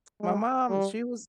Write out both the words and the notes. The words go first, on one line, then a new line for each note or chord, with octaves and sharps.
my mom, she was
G#3
G3